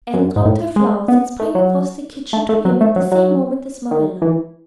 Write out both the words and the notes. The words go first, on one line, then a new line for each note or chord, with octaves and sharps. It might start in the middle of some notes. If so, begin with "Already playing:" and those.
Anne dropped her flowers and sprang across the kitchen to him at the same moment as Marilla.
F#2
G#2
A2
G#3
B3
A3
F#3
A3
A3
F#3
A3
F#3
F#3
D#3
E3